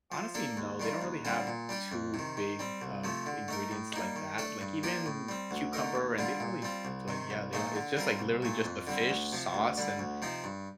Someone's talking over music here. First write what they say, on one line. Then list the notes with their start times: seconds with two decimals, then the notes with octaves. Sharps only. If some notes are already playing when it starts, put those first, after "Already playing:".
Honestly, no, they don't really have too big of ingredients like that, like, even cucumber, and they don't really like, yeah, they don't it's just, like, literally just the fish, sauce, and
0.12 F3
0.34 A#3 D4 A4
0.57 D#2
0.80 D#3 G3 D4 F4
1.02 D#2
1.25 D3 G3 C4 F4
1.47 A#2
1.69 G3 D4 G4
1.92 F2
2.14 C3
2.19 D#3
2.37 D#3
2.59 G3 C4
2.82 C2
3.04 C3 F3 A3
3.26 D3
3.48 A3 D#4 A#4
3.71 A2
3.93 G3 A#3 D#4
4.16 D#3
4.38 A3 D4 A4
4.61 G2
4.83 F3 A#3 D4 G4
5.06 A2
5.29 G3 C4
5.51 D2
5.73 D3 A3 D#4 A#4
5.95 D#2
6.18 D3 G3 D4 F4
6.40 A#2
6.62 G3 C4 F4
6.85 C2
7.08 C3 D#3
7.30 C2
7.53 A#2 F3 A3 D#4
7.75 D3
7.97 G3 C4 F4 A#4
8.19 C2
8.42 A#2 A3
8.64 F2
8.87 D3 G3 C4
9.09 D2
9.33 C3 F3
9.54 D2
9.77 D3 G3 D4
9.99 D2
10.22 C3 F3 C4 D#4
10.44 G2